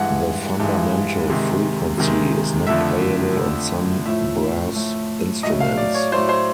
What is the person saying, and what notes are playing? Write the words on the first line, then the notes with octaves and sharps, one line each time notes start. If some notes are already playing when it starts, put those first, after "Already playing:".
The fundamental frequency is not playable on some brass instruments.
Already playing: G2 E3 G#3 F#5
G2 E3 G#3
C3 D#3 G#3
C3 D#3 G#3
F2 D3 F3 A3 E5
F2 D3 F3 A3
A2 F3 A3 E5
A2 F3 A3
A2 F#3 A3 D#5
F5
D5
C#5
A2 F#3 A3 C5
C5